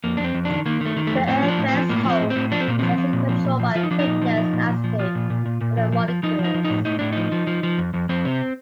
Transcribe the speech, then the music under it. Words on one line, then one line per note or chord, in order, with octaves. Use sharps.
The error threshold is also controlled by the fitness landscape for the molecules.
F2 A#3
F2 D4
C4
F2
D#3 D4
D#3 A#3
D#3 A3
D#3
A3
F2
A2 C4
F3
D4
A2
C4
F3
A2 A#3
F3
C4
A2
C4
A2
F3 D4
C4
A#2 A#3
F3 C4
F3
A#2
F3
A#2
F3
F3 F4
D#4
F3 D4
D#4
A#2
F3
F3
A#2
A#2
F3
F3 F4
A#2
A#2
A#2
A#2
F3
F3
F3
F3 D#4
F3
D#4
F3
D#4
A2
A2 D#4
A2 D4
F3 D#4
F3
F3
F3
F2
F2
F2 C4
C3